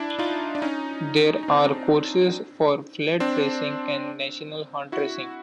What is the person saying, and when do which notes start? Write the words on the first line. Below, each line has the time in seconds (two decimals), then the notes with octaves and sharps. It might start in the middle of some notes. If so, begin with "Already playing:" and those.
There are courses for Flat racing and National Hunt racing.
Already playing: D4 E4
0.19 D#4 F4
0.55 D4
0.62 C#4 D#4
1.43 D#4
1.48 C4 D4
3.20 C4 D4
4.92 E4 F#4